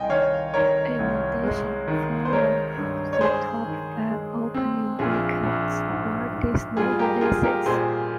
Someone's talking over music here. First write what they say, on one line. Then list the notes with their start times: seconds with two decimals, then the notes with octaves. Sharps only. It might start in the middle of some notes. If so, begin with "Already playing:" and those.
In addition, four of the top-five opening weekends were Disney releases.
Already playing: C2 D#5 G5 G#5
0.10 D#3 C#5 F5
0.54 D#3 A#4 C#5
0.99 C2
1.44 G#3
1.87 D#3
2.25 C5
2.32 G#3 A#4 C#5
2.77 G2
3.13 C#5
3.21 G#3 G#4 C5
3.65 D#3
4.10 G#3
4.54 C4
4.99 A#1 F4 G#4
5.43 A#1
5.88 G#2
6.33 G#2
6.77 G3 F4 G#4
6.99 G4 A#4
7.21 A#3 F4 G#4
7.43 G4 A#4
7.66 A#2 G#4 C5